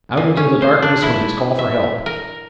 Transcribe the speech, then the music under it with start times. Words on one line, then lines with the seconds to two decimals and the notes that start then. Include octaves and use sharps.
Out into the darkness went his call for help.
0.17 A#2
0.37 C#4
0.62 C5
0.82 D4
1.03 E4
1.59 E5
2.06 A#4